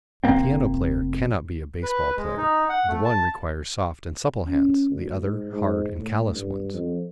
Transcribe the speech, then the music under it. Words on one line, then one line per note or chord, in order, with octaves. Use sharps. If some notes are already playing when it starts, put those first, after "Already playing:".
A piano player cannot be a base-ball player: the one requires soft and supple hands, the other hard and callous ones.
F1 A#3 C4
B4
G#3
D#4
F#5
A3
A5
C#4
D2
G#2
G#2
A2
G2
F2